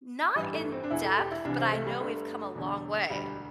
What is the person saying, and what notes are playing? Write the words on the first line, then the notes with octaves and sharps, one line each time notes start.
Not in-depth, but I know we've come a long way.
A1 G2 E3 G3
A3
C4
D4
E1 E2 E3 E4
A4
G4
E4
C2 C3 E3 D4
C4
A3
G3
G1 G2 D3 A3
E1 E2 D3
E1 D2 D3 G3